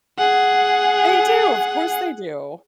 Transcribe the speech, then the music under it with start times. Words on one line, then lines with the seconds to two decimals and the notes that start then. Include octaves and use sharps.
They do, of course, they do.
0.18 G#4 F#5